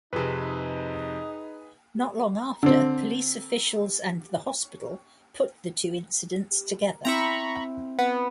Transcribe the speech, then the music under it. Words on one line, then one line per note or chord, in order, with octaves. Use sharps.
Not long after, police officials and the hospital put the two incidents together.
F2 C3 D#4 G#4 B4
D3 C4
C4 E4 A#5 B5 C#6 E6
B3